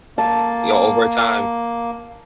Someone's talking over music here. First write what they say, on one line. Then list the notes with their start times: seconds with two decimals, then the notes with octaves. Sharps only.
Right, yeah, over time.
0.18 A#3 A5